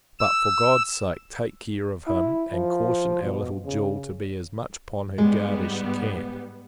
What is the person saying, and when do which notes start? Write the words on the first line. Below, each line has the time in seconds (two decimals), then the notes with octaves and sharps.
But, for God's sake, take care of him; and caution our little jewel to be as much upon her guard as she can.
0.19 E6
2.07 E4
2.53 F3
3.23 B2
3.66 C#3
5.18 G#2 G3 G#3 B3